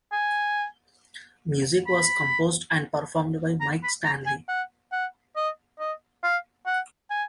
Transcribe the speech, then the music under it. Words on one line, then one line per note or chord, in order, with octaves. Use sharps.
Music was composed and performed by Mike Stanley.
G#5
B5
A#5
B5
A#5
G#5
F#5
F#5
D#5
D#5
F5
F#5
G#5